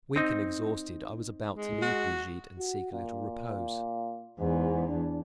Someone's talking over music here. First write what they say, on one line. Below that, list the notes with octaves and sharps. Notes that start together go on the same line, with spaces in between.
Weak and exhausted I was about to leave Brigitte, and seek a little repose.
C4 D#4
G#3
F#4
F#4
A#2
E2 G#2
D4